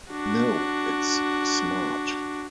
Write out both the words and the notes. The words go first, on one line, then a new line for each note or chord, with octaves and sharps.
No, it's smart.
D4 F#4